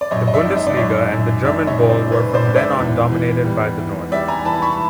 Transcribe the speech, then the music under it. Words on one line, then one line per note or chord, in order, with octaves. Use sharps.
The "Bundesliga" and the German Bowl were from then on dominated by the North.
D5
F#2 C#5 D#5
D#5
D5 E5
G#1
D#5
D5
F#2 C#5 D#5
F#2
G#1 D5 E5
C#5 D#5
C#3
C5 D5
C#3 B4 C#5
C5 D5
G#1
D5 E5
E2
E3
G3
E3
G3 D5 E5
G#5 A#5
E3 A5 B5
B5 C#6